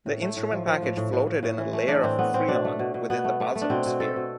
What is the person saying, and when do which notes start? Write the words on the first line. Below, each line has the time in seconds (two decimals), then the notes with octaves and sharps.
The instrument package floated in a layer of freon within the balsawood sphere.
0.06 A2
0.22 A3
0.37 A2
0.52 F3
0.67 F3
0.82 A2
0.97 A2
1.13 A2
1.27 A2
1.43 A2
1.58 E3
1.73 A3
1.88 E3 D4
2.04 A2 C4
2.18 A3 B3
2.34 A2 C4
2.48 B2 D4
2.65 A3
2.79 B2
2.94 B2
3.10 B2 B3
3.24 A3
3.40 A3
3.55 A3
3.61 D4
3.70 B2 C4
3.86 B2
4.00 A3 A4
4.16 B2